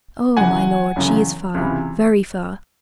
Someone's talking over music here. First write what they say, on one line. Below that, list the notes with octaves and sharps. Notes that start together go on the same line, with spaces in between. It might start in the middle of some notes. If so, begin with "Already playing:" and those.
'Oh, my lord, she is far, very far.
G1 F#2 C#3 E3 F#5 G#5
G1 F#2 C#3 E3
C#2 C3 E3